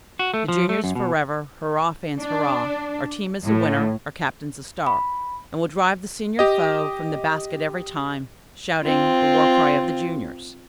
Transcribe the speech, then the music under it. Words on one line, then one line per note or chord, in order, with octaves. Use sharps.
"The juniors forever, hurrah, fans, hurrah! Our team is a winner, our captain's a star. And we'll drive the senior foe, from the basket every time. Shouting the war cry of the juniors."
F#4
A3
F3
A3
F#2
B2
D4
A2
B5
G4 D#5
C4 F4